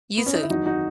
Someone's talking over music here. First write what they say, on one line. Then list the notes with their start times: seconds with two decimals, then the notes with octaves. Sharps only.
You too.
0.18 B3
0.26 C#4
0.34 D#4
0.43 E4
0.50 F#1 E2 D#3 D#4 F#4
0.66 D#4 F#4